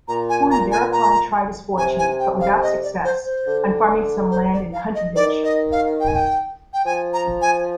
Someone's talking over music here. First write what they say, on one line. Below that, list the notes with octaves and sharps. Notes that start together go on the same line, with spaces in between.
Horne thereupon tried his fortune, but without success, on farming some land in Huntingdonshire.
A#2 A#5
G#5
A#5
G#5
A#5
C3 G#5
G#5
G5
F5
D#5
D5
C5
C5
D3
C5
D5
F5
D#5
D#3 D5
D#5
F5
G5
G#5
G5
G5
F3 G#5
A#5
G#5